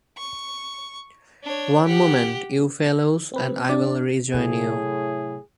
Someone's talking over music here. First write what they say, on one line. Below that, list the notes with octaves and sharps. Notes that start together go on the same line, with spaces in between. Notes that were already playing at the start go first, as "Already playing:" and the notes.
One moment, you fellows, and I’ll rejoin you.
C#6
D4 C#5
G4 F#5
C4 B4
C4 D4 D5
A2 C3 F#3 G#4